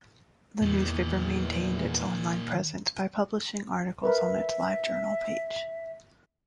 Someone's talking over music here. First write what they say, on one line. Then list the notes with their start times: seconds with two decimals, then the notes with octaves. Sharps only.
The newspaper maintained its online presence by publishing articles on its LiveJournal page.
0.62 E2 A#2 D#3
4.03 A#4 B4 E5